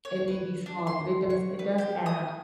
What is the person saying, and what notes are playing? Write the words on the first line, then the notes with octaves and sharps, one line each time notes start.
It may be small, but it does it does add up.
C#5
B4
D4
C6
C#6
B4
G4
D#6